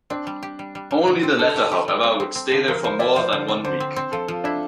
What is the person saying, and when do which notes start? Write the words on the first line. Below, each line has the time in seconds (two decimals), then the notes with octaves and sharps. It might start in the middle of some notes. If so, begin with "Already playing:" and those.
Only the latter, however, would stay there for more than one week.
0.10 C4 D4
0.27 G3
0.43 G4
0.59 G3
0.75 G3
0.91 G3
1.07 D3
1.23 C4
1.39 D3 A4
1.56 G4
1.71 G4
1.88 G3
2.03 C4
2.20 C4
2.35 C4
2.52 D3
2.68 F3 A#4
2.84 F3 C5
2.99 E4 D5
3.16 F3 C5
3.32 D3 C5
3.48 C4
3.64 D3 C5
3.80 C4
3.96 C4 C5
4.12 F3 A4
4.28 F3 F4
4.44 D4 E4